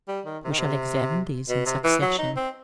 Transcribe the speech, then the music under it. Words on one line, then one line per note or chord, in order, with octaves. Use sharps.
We shall examine these in succession.
G3
D#3
C3
D#3
C3
B2
C3
E3
F#3
D#4
C4